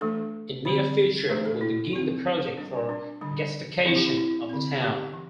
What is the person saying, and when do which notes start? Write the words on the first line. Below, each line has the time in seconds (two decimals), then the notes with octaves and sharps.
In near future will begin the project for gasification of the town.
0.01 E3 A3 D4 A4
0.65 D3 G3 C4 C5
1.29 E3 A3 D4 C5
1.45 A4
1.61 E4
1.93 E3 C4
2.58 G3 D4
2.89 D4
3.21 D3 G3 D4
3.86 E3 C4 E4
3.96 G4
4.07 E4
4.17 E4
4.49 D3 C4
4.82 G4
5.14 E3